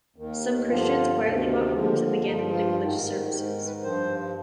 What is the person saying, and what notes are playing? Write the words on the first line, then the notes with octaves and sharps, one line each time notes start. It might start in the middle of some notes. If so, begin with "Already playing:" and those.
Some Christians quietly bought homes and began holding religious services.
D#2 D#3
G2 D3 F3 F4
D2 C3 D#3
D#2 D3 F3
G2 F3 D#4
F4
G#2 D#3
G#2 D#3 G4
B4
G2 F3 C5